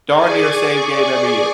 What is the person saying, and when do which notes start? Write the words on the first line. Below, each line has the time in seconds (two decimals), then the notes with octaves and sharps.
darn near the same game every year.
0.13 G#4 D5 G#5 C#6 D6